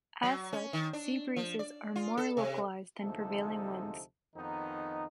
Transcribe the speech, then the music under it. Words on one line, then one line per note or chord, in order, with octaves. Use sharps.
As such, sea breezes are more localised than prevailing winds.
F#3
C#4
D#3
D4
F3
D5
F4
A4
C3
D2 C3 F3 G#3 D#4 A4
F2 D#3 B3 D#4